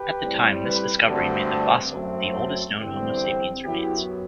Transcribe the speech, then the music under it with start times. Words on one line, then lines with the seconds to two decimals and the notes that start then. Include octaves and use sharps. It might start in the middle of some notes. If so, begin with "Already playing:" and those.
At the time, this discovery made the fossils the oldest known "Homo sapiens" remains.
Already playing: G4 B4
0.21 A2 G3 C4
0.63 G4 B4
1.06 G2 D3 A3 C4 F#4 A4
1.92 F#2 F#3 A3 C4
2.78 E2 D3 G3 C4
3.64 F#2 F#3 B3 E4 G4